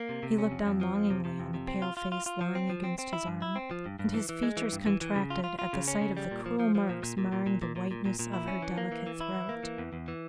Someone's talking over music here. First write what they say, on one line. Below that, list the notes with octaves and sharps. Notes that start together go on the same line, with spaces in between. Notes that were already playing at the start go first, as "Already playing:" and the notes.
He looked down longingly on the pale face lying against his arm, and his features contracted at the sight of the cruel marks marring the whiteness of her delicate throat.
Already playing: A#3
C3
C3
C#4
F2
F2
F3
F2
C3
C3
F2
C3
C4
F4
F4
F4
F4
F3
C4
F3
C4
C4
E4
G2
E4
C4
F3
G2
G2
E3
E3
G#3
E3
G2
E3
E3
C#3
F4
F4
F4
C#3
C#4
C#3
G3
A#2
F3
F3
F3
A#2
A#2
A#2
A#2
A#2
A#2
A#2
A#2
A#2
A#2
E4
C#4
E3
A#3
E3
E3
E4
E3
A#3
E3
E2
E2
E3